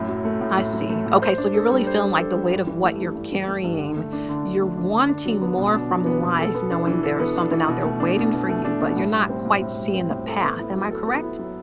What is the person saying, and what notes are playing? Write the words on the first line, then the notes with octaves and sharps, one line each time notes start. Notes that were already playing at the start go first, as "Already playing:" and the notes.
I see. Okay, so you're really feeling, like, the weight of what you're carrying you're wanting more from life knowing there's something out there waiting for you, but you're not quite seeing the path. Am I correct?
Already playing: F#2 A2
F#3
A3
A2
A2
F#3
A3
A2
C5
D4
A4
G3
C5
D4
A4
G3
G2
E3
A3
G2
G2
E3
A3
G2
D3
A3
D4
D3
D3
A3
D4
D3
D4
F#3
B3
B2
D4
F#3
B3
B2
A4
B3
D4
E3
A4
B3
D4
E3
B2
A3
D4
B2
B2
A3
D4
B2
A2
G3
C4
A2
A2
G3
C4
A2
A4
B3
E4
F#3
A4
B3
E4
F#3